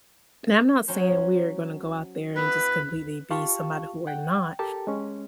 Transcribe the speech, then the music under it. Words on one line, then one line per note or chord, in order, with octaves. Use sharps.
And I'm not saying we are gonna go out there and just completely be somebody who we're not,
F#3 C#4 C5
B3 E4 B4
F4 G4 F5 A5 C#6
F#5 G5
G4 A4 A#4 A5
G#3 C#4